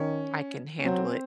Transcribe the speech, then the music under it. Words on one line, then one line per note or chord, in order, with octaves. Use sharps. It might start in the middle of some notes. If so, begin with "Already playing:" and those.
I can handle it.
Already playing: D#3 C#4
C#4
F#3 C4